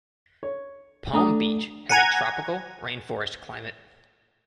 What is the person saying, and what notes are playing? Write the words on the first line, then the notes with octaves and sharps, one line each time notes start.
Palm Beach has a tropical rainforest climate.
C#5
A3 D4 A#5 D#6
F#5 G#5 A#5 G#6